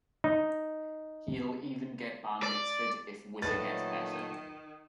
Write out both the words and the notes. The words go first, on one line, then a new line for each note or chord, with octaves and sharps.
He'll even get Bar Mitzvahed if Whizzer gets better.
D#4
D5
A#2 D#3 F#3 A3 A4 B4 A6